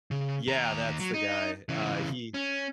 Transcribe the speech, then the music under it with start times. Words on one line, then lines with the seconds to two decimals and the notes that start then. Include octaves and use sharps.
yeah, that's the guy. Uh, he
0.11 C#3
0.47 D#2 A#5
1.00 F#3
1.14 D#4
1.69 C#3 E3
2.34 C#4